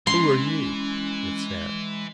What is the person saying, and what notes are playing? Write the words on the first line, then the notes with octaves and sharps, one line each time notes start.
"Who are you?" it said.
E3 G#3 C#4 C6